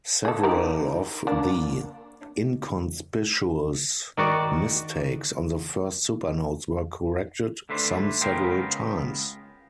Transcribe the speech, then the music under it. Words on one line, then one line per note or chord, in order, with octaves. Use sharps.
Several of the inconspicuous "mistakes" on the first supernotes were corrected, some several times.
G#4 A4
D#4 G4 A#4
A#3 D4
D#3 F#4 D5
D3 A3 B4 C5 D5
C#2 C#3 B3 A#4 G5 C6